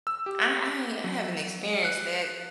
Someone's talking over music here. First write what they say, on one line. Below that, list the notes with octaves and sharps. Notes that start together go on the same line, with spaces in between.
I I ain't I haven't experienced that.
E6
G4
F#3
F#6